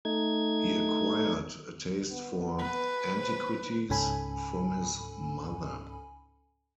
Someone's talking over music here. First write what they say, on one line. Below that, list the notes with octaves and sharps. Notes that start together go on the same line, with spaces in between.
He acquired a taste for antiquities from his mother.
A3 D#4 G#6
B3
B4
C5
C#2 G#2 C#4 A4 G#5 B5